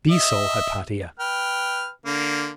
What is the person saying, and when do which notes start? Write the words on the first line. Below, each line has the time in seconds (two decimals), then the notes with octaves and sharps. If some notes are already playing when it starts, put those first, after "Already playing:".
Be so, Hypatia....
0.10 D#5 E5
1.20 B4 G5 F6
2.06 D3 A#3